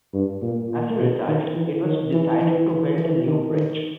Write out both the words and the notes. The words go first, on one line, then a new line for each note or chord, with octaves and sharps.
As a result, it was decided to build a new bridge.
G2
A#2
A#2
B2
D#3
E3
D#3
E3
E3
E3
E3
D#3
D#3